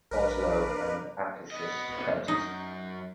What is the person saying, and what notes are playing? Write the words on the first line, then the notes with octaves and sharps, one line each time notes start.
Oslo and Akershus counties.
A#1 D4 A#4 B4 D6
B3 D#5
F#2 D#4